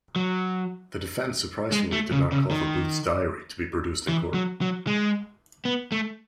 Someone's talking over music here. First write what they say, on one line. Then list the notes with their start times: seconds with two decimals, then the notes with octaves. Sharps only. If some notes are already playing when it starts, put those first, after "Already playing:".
The defense surprisingly did not call for Booth's diary to be produced in court.
0.16 F#3
1.72 G#3
1.92 A3
2.12 C#3
2.32 C#3
2.51 D#3
4.09 E3
4.34 F#3
4.61 F#3
4.87 G#3
5.65 B3
5.92 A3